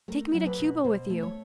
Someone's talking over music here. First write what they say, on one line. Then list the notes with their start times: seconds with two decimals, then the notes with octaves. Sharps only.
Take me to Cuba with you!
0.08 A3 A#4
0.34 F#3
0.46 B4
0.59 B2
0.84 B2 C5
1.10 A3
1.23 C#5